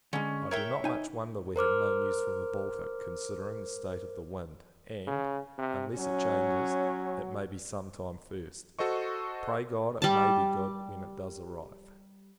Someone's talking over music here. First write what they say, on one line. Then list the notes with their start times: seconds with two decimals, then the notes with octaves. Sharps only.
I do not much wonder we have no news from the Baltic, considering the state of the wind; and, unless it changes, it may be some time first. Pray God it may be good, when it does arrive.
0.13 D3 G#3 C#4
0.51 A#4 C#5 E5 G5
0.84 D#4 G#5
1.56 A#4 C5 D6 F6
5.07 C#3
5.58 C3
5.97 F#3 C#4
8.79 F#4 A4 C5 D#5 C#6
10.02 G3 A5